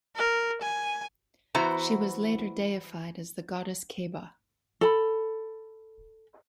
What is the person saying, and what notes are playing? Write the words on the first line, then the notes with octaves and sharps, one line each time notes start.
She was later deified as the goddess Kheba.
A#4
G#5
E3 B3 E4 F#4 C5 A#5
A4 B5